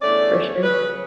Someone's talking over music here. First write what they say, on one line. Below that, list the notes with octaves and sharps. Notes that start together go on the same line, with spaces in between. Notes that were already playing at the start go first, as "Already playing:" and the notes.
for sure.
E2 D3 A3 C#4 D5
C#5
C#3 F#3 C#4 B4